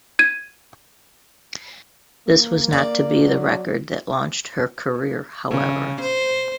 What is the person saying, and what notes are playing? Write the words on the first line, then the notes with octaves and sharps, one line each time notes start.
This was not to be the record that launched her career, however.
G#6 D#7
A#3
D5
F#3
C#3
C5